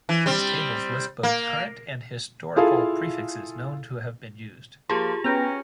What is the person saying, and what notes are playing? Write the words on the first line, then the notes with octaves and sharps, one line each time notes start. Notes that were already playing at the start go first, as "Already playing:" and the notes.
These tables list both current and historical prefixes known to have been used.
E3
G3 C4
A#3
E4 F4 G#4 A4 F5
F3 A#3 F4 G4 G#4 A5 C6
B3 C#4 B4 G5 A#5